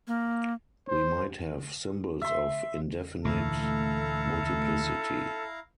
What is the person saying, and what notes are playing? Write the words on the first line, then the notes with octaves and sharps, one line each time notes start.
We might have symbols of indefinite multiplicity.
A#3
C5
E5 C6
D2 A#2 E3 A3 E4 A4 F5 A#5